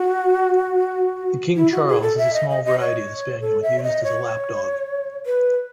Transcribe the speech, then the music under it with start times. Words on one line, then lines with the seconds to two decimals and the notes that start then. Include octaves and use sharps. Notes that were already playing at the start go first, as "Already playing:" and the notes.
The King Charles is a small variety of the spaniel used as a lapdog.
Already playing: F#4
1.56 E4
1.72 F#4
1.88 G#4
2.02 A4
2.18 E5
2.34 D#5
2.49 D#5
2.65 D#5
2.80 C#5
3.41 A4
3.63 E5
3.79 C#5
3.83 D#5
4.04 C#5
5.26 B4